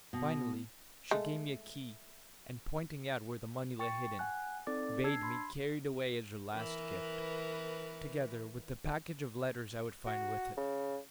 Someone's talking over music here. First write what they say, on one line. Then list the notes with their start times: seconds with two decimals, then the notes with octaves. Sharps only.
Finally, she gave me a key, and pointing out where the money lay hidden, bade me carry it away as her last gift, together with the package of letters I would find with it.
0.13 B2
1.11 G#3 A3
3.79 G5 C#6 A6 C#7
4.19 F#5 G#5 F#6
4.67 C4 D#4 A4 D5 D6 A6
5.04 D4 A5 E6 G#6 C7
5.23 B5 C6
6.55 E3 A#4 B4
10.06 F#4
10.57 C#3